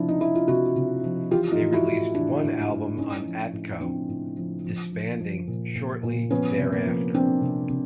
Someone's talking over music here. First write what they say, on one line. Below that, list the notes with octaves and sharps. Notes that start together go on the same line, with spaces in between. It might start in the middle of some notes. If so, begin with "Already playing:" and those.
They released one album on Atco, disbanding shortly thereafter.
Already playing: C3 F3 D4 E4
D#4
F3 E4
F4
C3 E4 F#4
C3
F3
E3 F4 G4
D#4 F4
E3
E4 F#4
A2
E3 D4 E4
A2
A2
A2 C#4 D#4
F3
A2
F3 C4 D4
A2
F3
F3
F3
F3
A#2
A#2
A#2
F3 B3 C#4
C3
A#3
F3
F3 C4 D4
C3
C3